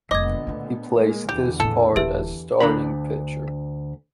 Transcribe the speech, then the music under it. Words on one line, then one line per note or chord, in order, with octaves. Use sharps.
He plays this part as starting pitcher.
F1 A#2 D3 G#3 B3 D#5 D6 G#6
A3 D4
G#3 A#3
E2 D3 E3 G4
A2 D4 A4
D#1 E4 G4 B4 E5
D2 D4 A#5 B5